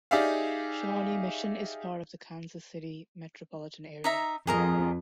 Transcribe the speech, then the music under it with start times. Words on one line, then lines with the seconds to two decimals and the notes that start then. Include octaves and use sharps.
Shawnee Mission is part of the Kansas City Metropolitan Area.
0.11 D#4 G4 G#4 D5 E5 F5
4.04 D#4 E5 A#5
4.47 F2 G#4 A#4 D#5